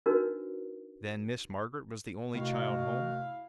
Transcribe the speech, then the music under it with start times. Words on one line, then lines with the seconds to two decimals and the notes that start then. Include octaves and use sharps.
"Then Miss Margaret was the only child home?"
0.06 D4 D#4 F#4 A#4 B4
2.34 C3 D#3 A3 E4 F#4 F5